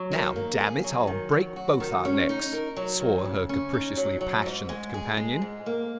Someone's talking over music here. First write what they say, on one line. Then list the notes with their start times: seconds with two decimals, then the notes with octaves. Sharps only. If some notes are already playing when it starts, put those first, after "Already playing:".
"Now, damn it--I'll break both our necks!" swore her capriciously passionate companion.
Already playing: F#3
0.12 D#3
0.36 A#3
0.60 G#4
0.84 F#3
1.07 D#3
1.31 F#3
1.56 F#4
1.80 D#3
2.05 C#4
2.29 D#4
2.53 A#4
2.76 F#3
3.00 D#3
3.25 C#3
3.49 C#4
3.74 D#4
3.97 F#3
4.21 F#3
4.46 G#2
4.69 G#3
4.94 G#4
5.17 G#3
5.42 G#2
5.66 A#3